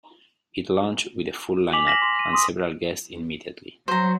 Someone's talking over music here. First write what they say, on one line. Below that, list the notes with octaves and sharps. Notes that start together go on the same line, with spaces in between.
It launched with a full lineup, and several guests immediately.
G#5 D6 B6 F7 F#7
F6 A#6 B6 E7 F#7
C6
D#7
C6 D#6
F#3 C5 A#5